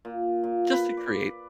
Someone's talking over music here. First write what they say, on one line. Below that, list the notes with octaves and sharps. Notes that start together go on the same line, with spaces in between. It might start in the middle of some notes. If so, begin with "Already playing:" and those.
Just to create.
A#2
A#2
B4
D5